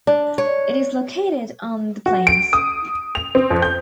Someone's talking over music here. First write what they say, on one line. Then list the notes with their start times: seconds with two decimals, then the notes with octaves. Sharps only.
It is located on the plains.
0.07 D4
0.38 C#5
2.06 F#4
2.27 D7
2.53 D#6
3.15 F7
3.35 C4
3.51 F2
3.62 G6